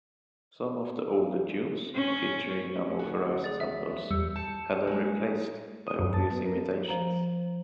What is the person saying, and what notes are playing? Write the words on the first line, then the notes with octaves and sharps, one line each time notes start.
Some of the older tunes featuring unauthorised samples had them replaced by obvious imitations.
C#4
D2 F#4
G#4 D5
E5
E2 G3 E6 C#7
A5 G6 C#7
G#3 A#3
D#6
F#2
A5
B3
A#4
F3 C5 A#5